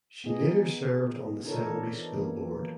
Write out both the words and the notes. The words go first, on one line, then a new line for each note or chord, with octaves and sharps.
She later served on the Selby School Board.
B3 D#4 G#4 D#5
D4 D#4 F4 A4 A#4 C#5
E3
E3 F#3 A#3